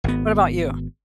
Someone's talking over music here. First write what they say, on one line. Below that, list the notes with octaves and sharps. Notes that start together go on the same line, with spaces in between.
what about you?
G#1 B3